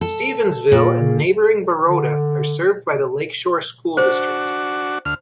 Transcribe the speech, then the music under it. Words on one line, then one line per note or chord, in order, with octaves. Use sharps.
Stevensville and neighboring Baroda are served by the Lakeshore School District.
A4
A#2
D3
D4 F#4 C5
D2 F6